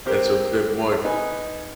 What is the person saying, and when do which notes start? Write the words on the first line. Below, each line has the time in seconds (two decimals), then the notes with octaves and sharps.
that's a bit much,
0.06 C4 G4 A#4 C5
1.05 D#4 B4 G#5